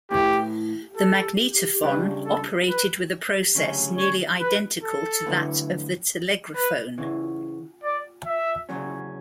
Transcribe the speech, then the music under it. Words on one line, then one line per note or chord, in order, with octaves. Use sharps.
The magnetophon operated with a process nearly identical to that of the telegraphone.
A2 E3 B3 E4 G4
A4
C#2 C#3 G3 D4 B4
A4
B4
D2 C#3 F#3 C#4
C#5
B4
A4
D2 D3 F#3 B3 E4
B4
E2 C#3 E3
D5
E5
E2 C#3 F#3 C#4